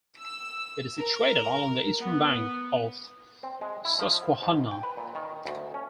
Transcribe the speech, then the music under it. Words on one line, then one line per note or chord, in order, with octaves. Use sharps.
It is situated along the eastern bank of the Susquehanna.
E6
A#4
B3
C4
G#3
E4
F3
G#2
G5
B4
A#2
D#3
D2
C#4